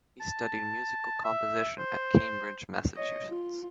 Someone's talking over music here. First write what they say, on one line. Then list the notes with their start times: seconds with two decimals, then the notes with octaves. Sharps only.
He studied musical composition at Cambridge, Massachusetts.
0.21 A5
1.24 E5
1.79 C5
2.96 C#5 D#5
3.28 F4